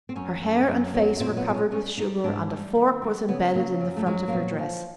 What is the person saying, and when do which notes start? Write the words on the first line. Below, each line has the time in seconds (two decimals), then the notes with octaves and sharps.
Her hair and face were covered with sugar and a fork was embedded in the front of her dress.
0.09 C4
0.16 F#2 C#4
0.41 F#2
0.63 C4
0.67 F#2 C#4
0.94 F#3 B3
1.19 A#2 C4
1.37 B3
1.46 G3 C4
1.54 C#4
1.72 G3 C#4
1.98 G3 D#4
2.24 G#2 D4
2.51 G3
2.76 D#3
3.02 G3
3.28 C#3 B3
3.54 F#3 A#3
3.80 F#2
3.96 A3
4.06 F#3 G#3
4.28 A#3
4.32 A#2 B3
4.59 F3